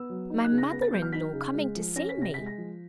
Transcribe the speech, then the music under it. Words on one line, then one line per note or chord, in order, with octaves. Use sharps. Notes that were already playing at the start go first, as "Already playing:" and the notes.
My mother-in-law coming to see me!
Already playing: B3 E6
F#3
D#4
F#6
C#3
A#6
B3 A#6
A6
F#3 G6
F6
D#4 B6
C#3
G#3
F3
C#4 A#6
B6
C3 A#6
G#3 B6
A#6
F3